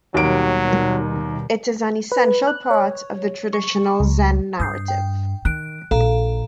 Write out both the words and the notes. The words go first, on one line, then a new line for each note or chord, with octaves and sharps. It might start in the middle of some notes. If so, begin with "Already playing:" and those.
It is an essential part of the Traditional Zen Narrative.
D#2 B2 D#3 F#3 G3 D7
B4
F#6
C#5
C#6
C#2
G2 D#6 G6 C7
G5
D#3 F#6 D7
A#1 A4 F5 A#5